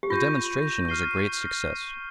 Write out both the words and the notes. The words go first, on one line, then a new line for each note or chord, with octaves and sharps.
The demonstration was a great success.
G4
F4 C#6 G6 A#6
F6 C7 D#7 G7